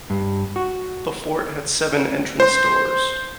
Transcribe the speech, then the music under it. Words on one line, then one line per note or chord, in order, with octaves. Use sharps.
The fort had seven entrance doors.
G2
F#4
C5 C6